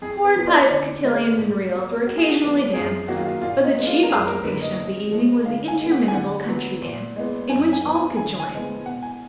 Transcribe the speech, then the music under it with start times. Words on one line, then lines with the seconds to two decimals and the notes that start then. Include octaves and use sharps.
Hornpipes, cotillons, and reels, were occasionally danced; but the chief occupation of the evening was the interminable country dance, in which all could join.
0.02 F2 G#4
0.24 B4
0.36 F3 B3
0.47 D5
0.70 D3 D5
1.04 G#3 B3
1.38 G#2
1.72 F#3 A#3
2.06 F2 F#4
2.17 G#4
2.29 F#4
2.40 D#3 F#3 B3
2.73 F#2 G#4
3.08 D#3 F#3 A#3 F#4
3.16 F4
3.27 F#4
3.41 A#2 F4
3.64 D#4
3.76 G#3 B3
3.87 F4
4.03 A#4
4.10 F#2 G#4
4.27 A#4
4.43 D3 F3 A#3 B4
4.61 D#5
4.78 F2
5.12 F3 G#3
5.46 D3 F5
5.68 G#5
5.79 G#3 B3
5.92 F#5
6.08 G#5
6.14 D3 F#5
6.48 F#3 B3
6.82 A#2
7.16 G#3 B3
7.49 F#2 G#5
7.73 G#5
7.84 F3 B3
7.95 G#5
8.17 D3 G#5
8.40 G#5
8.52 F3 G#3 B3
8.85 B2 F#5
9.03 G#5